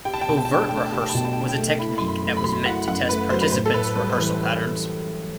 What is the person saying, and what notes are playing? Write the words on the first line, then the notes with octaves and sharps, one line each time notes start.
Overt-Rehearsal was a technique that was meant to test participants' rehearsal patterns.
G4 G5
A5
G5
B2 A5
G5
A5
D4 G5
A5
A3 G5
A5
G5
G4 A5
G5
A5
B2 G5
A5
G5
D4
A5
G5
A3
E4 B5
F#2 C6
B5
A3
B5
F#3 C6
B5
E4 F#5
F#2 F#5
A3 B4
F#3 C5
B4
A2 C5
A4
A2 B4
G3 B4
C5
E3 B4